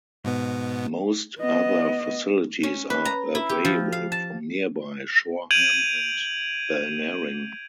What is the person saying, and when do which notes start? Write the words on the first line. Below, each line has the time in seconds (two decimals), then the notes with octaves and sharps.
Most other facilities are available from nearby Shoreham and Balnarring.
0.24 G#2 B2 B3
1.39 B3 D#5
2.63 C#4
2.90 B4
3.05 A#5
3.35 E4
3.49 G4
3.65 F3
3.92 F5
4.12 A5
5.51 G6 G#6 D7 D#7 F7 F#7